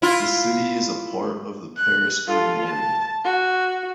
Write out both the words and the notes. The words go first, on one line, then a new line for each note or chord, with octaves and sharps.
The city is a part of the Paris urban area.
E4 F4
F#6
F4 A4
A5
F#4